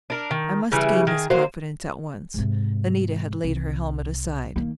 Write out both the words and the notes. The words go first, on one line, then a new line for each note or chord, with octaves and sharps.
I must gain his confidence at once. Anita had laid her helmet aside.
D4 A#4
D#3
C#3 E3 G3
D#3 G#4
D3 F#3 A#3 C5
G#2 C3
C2
D#3 A#3